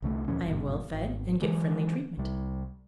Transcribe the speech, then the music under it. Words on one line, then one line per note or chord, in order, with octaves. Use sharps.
I am well fed, and get friendly treatment.
C2 D3 G#3 A3
D2 A#2 F3 C#4
G#1 G2 B2
G#1
D3 E3 F#3 G#3
C2 G3